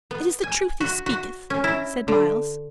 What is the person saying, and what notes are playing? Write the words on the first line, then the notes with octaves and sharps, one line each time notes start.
"It is the truth he speaketh," said Myles.
B3
G#5
F#4
F#4
C#4
E4
D3